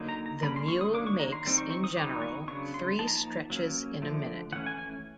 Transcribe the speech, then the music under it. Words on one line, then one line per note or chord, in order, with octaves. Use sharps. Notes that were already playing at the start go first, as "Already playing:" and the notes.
The mule makes in general three stretches in a minute.
Already playing: D3 F#3 A#3 D#4
A#5
A#5
D3 G3 A#3 C#4 B5
C6
C#6
D#6
D#3 F#3 A#3 D4 D6
C#6
A#5
C6
D#3 G3 C4 D#4
C#6
C#6
D#6
D#3 F#3 B3 D#4 D6
C#6
C#3 F#3 B3 D4 C#6
C6
F3 A#3 D#4 A5
A#5
A5
F#3 A#3 C#4
D3 F3 A3
E3 A3 C#4 F#5
G#5
G#5